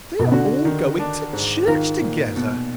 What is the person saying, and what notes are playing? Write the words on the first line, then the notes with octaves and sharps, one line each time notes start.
They are all going to church together.
B2
D3 F#4
D#3
D4
G#2
D#3 F4
A#2
B2